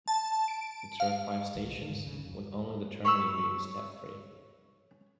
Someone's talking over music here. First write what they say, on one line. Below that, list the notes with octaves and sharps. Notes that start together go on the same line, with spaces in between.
It serves five stations, with only the termini being step-free.
A5
D7
F5
E1 C2 D#3 A3
A#2 G#3
G#2 D3 G#3
F1 D2 C#3
D1 F#2
C#5 B5 C6 E6